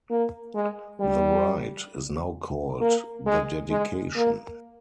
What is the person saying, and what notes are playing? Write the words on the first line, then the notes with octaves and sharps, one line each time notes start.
The rite is now called the dedication.
A#3
G#3
G3
A#3
G#3
G#3
A#3